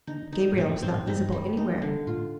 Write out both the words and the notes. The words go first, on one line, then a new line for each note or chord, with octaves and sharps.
Gabriel was not visible anywhere.
D3 D#4
D#4
G2
A2 C4
A2
G2 C4
A2
G2 D#4
G3
D#4
D3
A2 F4